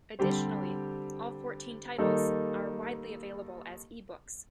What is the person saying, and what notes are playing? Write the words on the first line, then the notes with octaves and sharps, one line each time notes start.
Additionally, all fourteen titles are widely available as ebooks.
D3 G3 C4 G4 C5
D#3 G3 A#3 D#4 A4